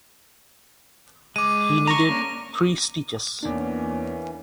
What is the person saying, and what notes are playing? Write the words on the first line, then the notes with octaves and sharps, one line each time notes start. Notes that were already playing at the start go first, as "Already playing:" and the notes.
He needed three stitches.
G#3 D6 D#7
A#5 C#6 A#6
A#3 C#4 D4
E2 E3 A#3 C#4 D4